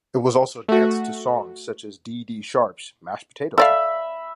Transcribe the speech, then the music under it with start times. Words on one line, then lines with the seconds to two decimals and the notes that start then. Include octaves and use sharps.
It was also danced to songs such as Dee Dee Sharp's "Mashed Potato Time".
0.69 A3 F#4
3.58 A4 D5 E5 F5 B5